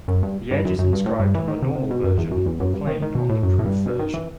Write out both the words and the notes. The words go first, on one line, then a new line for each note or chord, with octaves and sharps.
The edge is inscribed on the normal version, but plain on the proof version.
F#2
G2
G2
F#2
F#2
G2
A2
G2
E3
D#3
C3
C3
B2
F#2
E2
F#2
E2
F#2
G2
D#3
D#3
B2
A2
F#2
A2
G2
B2
D#3
E3